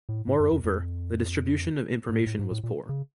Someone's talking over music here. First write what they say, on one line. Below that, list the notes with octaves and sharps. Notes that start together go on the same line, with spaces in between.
Moreover, the distribution of information was poor.
A2
G#2
F#2
F2
F2
G#2
A2
A2
G#2
A2
A#2
C#3